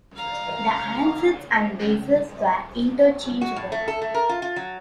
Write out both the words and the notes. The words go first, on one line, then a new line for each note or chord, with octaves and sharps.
The handsets and bases were interchangeable.
F5 A#5
F#4
A2
A3
A4
A3
A#4
F4
F4
F#3